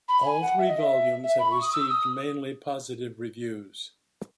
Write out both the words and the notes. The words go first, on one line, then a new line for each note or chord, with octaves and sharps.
All three volumes have received mainly positive reviews.
B5
G#5
F#5
E5
D#5
E5
E5
B5
C#6
D#6
E6
D#6